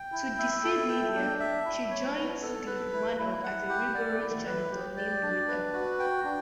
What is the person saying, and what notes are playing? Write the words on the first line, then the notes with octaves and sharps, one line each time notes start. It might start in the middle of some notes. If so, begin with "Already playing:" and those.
To deceive Lidia, she joins the manor as a "rigorous" janitor named Greta.
Already playing: G5
E4
E5
A4
G5
D4
E5
E4
C#5
B3
A4
B4
E4
E4
F#5
G4
D5
E4
B4
G4
D5
D4
B4
F#4
G5
D4